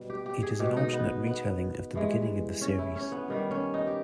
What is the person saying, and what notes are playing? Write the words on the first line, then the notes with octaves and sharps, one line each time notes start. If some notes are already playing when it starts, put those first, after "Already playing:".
It is an alternate retelling of the beginning of the series.
Already playing: B2 G3
G4
G4
G#4
B2 G#3 G4
D#4
B3
B3
G2 E3 G#3
C#4
E4
C#4
B3
G2 D#3 G3
C#4
D#4
G4